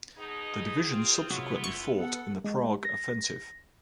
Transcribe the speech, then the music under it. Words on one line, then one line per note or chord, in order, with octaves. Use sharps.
The division subsequently fought in the Prague Offensive.
B2 D#4 G#4
C4 F4
C3 F#3 B3 E4 F4
F#1 C#6
B3 A4 F#5
G#3
A#6